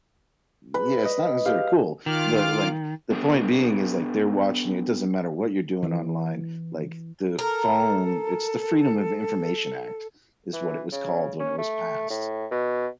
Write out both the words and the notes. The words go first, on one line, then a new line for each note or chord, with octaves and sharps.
yeah, it's not necessarily cool, but like, the point being is, like, they're watching you, it doesn't matter what you're doing online, like, the phone it's the Freedom of Information Act is what it was called when it was passed,
B4
D#5
G4 F5
D#3 F4 D6 F6
B3 D4 G#4 A#4
E3
A4 A#4
E3
C#3
C#4
A3
A2
B2